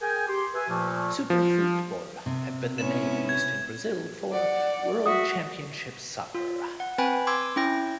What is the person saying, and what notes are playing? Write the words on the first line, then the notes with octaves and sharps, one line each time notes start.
"Super Futebol" had been the name used in Brazil for "World Championship Soccer".
G#4 A#4 G5 G#5
G4 C6
G4 B4 E5 G#5
A#2 F3 A3 A#3
F3
C3
B3 C#4 E4 E7
G#6
D5 F#5
F#4 E5 D#6
F4
F#5
C4 B4 G5 G#5 B5
C6 D6 E6 G#6
C#4 E4 G5 A#6